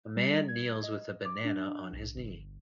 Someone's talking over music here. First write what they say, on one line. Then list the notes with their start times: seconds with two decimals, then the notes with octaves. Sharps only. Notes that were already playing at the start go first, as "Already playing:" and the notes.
A man kneels with a banana on his knee.
0.17 G3
0.48 G#6
0.83 D#5
1.25 D6
1.45 D4
1.93 B1
2.16 G1